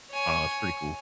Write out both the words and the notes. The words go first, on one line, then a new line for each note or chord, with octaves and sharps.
I don't know, it's pretty cool.
C#5 G#5